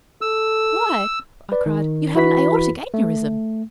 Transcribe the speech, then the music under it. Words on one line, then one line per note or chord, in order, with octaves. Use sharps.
"Why," I cried, "you have an aortic aneurism!"
A4 E6
B4 D5
D#3
E3 E4 F#4 B4 B5 B6
A3